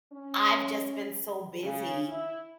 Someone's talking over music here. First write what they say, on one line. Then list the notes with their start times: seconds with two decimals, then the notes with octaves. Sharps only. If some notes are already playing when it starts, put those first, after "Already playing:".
I've just been so busy,
0.13 C#4
1.63 C#3
2.08 E4